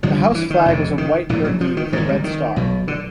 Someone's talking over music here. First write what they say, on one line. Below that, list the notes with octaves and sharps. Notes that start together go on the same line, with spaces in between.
The house flag was a white burgee with a red star.
G1 G2 D3 F3
E3
D#3
F1 F2 C3
D#3
A#1 G#2 E3
F#3
F3
D#3
G#2 D#3
G#1
G3
D#3
B1 B2
D3